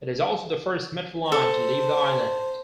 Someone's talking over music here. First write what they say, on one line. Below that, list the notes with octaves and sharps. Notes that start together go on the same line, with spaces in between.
It is also the first Metro line to leave the island.
A4 C5